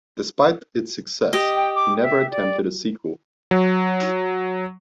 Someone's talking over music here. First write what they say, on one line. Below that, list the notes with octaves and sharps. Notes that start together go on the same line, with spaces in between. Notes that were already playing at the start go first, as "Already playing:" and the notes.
Despite its success, he never attempted a sequel.
G4 D#5
G5
D6
E5
D5
F#3